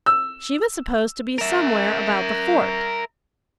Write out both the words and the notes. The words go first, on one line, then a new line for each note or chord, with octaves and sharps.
She was supposed to be somewhere about the fort.
E6
A#4 E5